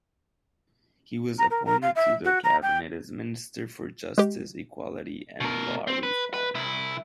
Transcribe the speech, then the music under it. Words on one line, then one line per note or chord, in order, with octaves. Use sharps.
He was appointed to the cabinet as Minister for Justice, Equality and Law Reform.
A#5
A#4
A#4
F5
E5
F#4
A#5
G5
G#3 G4
B2 A#4
C4
B4
B4
C2 E4